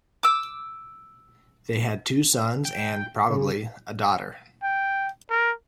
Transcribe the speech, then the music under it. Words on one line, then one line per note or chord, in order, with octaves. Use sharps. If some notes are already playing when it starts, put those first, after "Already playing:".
They had two sons and, probably, a daughter.
D6 E6
G5
C#3
G5
A#4